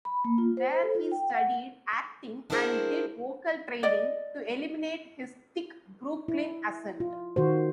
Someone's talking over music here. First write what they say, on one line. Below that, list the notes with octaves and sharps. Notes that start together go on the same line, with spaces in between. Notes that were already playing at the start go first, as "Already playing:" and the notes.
There he studied acting and did vocal training to eliminate his thick Brooklyn accent.
B5
A#3
F4
C5
C5
A4
F4
G5
F#5
D4 E4 F#4 G#4 A#4 C5
D5 D#5
E4
F4
D#3 F#4 C5